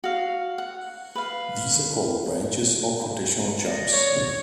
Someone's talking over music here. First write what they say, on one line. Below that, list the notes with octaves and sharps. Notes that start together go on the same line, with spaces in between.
These are called branches, or conditional jumps.
F#4 F5
F#5
B4 F5
D5 D#5
C#5